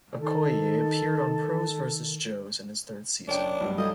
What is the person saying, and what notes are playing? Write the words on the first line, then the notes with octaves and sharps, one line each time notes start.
Okoye appeared on Pros versus Joes in its third season.
D#3 A4
F#1 D4 C#5 G5
B1 G2 G3
F#3 G3 E4 A4 D#5 F5